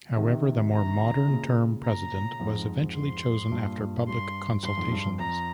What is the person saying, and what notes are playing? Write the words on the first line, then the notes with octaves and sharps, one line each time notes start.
However, the more modern term president was eventually chosen after public consultations.
C3 D#3
A#5
A#2 C#3
A#5
F2 G#2
C6
G2 A#2
G2 A#2
G2 C6
G2 C6
F2 G#2
G2
F2
F2 A#5